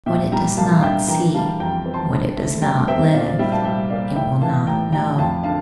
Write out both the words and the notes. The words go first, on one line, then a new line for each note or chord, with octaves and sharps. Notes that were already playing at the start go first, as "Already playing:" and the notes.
What it does not see, what it does not live, it will not know.
A#2 E5 G5
G3 G5 A#5
C2 F5 A5
F5
D4 E5 G5
E3 G5 A#5
G3 F5 A5
F2 G5 A#5
C4
A5 C6
D3
A3
G2 G5 A#5
C4 E5 G5
A#2 D5 F5
D5 F5
G3 E5 G5
F5 A5
C2 E5 G5
A#3 D5 F5
A2 E5 G5
E3 F5 A5
A1 G5 A#5
A1 G5 A#5
F2 F5 A5
D3 F5 A5